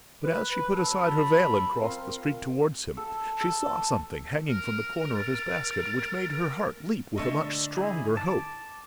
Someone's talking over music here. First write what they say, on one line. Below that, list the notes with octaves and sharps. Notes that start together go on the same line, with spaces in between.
But as she put aside her veil and crossed the street towards him, she saw something hanging from the corner of his basket which made her heart leap with a much stronger hope.
B4
F#2 A4 A5 B5
C4 F4 A#4
A4
A4
A#4 F6
A6
D3 A3 D#5
D#4 E4 G#4
A5 D6